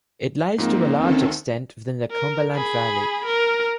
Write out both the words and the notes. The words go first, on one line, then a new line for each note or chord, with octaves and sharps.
It lies to a large extent within the Cumberland Valley.
G#2 F3 A#3 C4
D2 D#3 C4 C#4 A4
A#4
G#4 B5
A#4